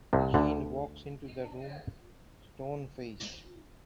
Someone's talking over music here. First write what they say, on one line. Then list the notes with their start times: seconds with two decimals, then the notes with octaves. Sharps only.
Jean walks into the room, stone-faced.
0.13 C2 C3
0.34 D2 D3